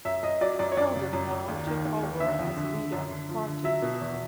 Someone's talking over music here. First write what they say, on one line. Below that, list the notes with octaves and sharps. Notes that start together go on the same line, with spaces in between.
Kilbom now took over as leader of the party.
F#2 E5
F#2 D#5
F#3 D5
F#2 D5
C#5
F#2 D5
C#3
F#2
F#2
D#2
D#3
D#2
D#2
D3 E5
F2
D3
D3
F#2
D3
F3
D3
F#3 E5
B2
E2